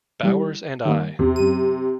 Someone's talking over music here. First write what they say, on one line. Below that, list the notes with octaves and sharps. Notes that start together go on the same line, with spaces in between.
Bowers and I.
E3 G3
D#3 G3 A#3
E2 C3
F#2 D#7